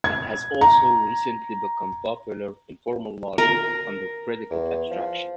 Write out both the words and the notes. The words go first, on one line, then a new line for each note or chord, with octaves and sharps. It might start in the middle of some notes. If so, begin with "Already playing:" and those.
It has also recently become popular in formal logic under predicate abstraction.
G#6
A#5
A#4
E2
F3